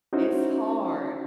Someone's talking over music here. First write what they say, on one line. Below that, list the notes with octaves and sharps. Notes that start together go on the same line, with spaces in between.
it's hard.
C#4 D#4 E4 F#4 C5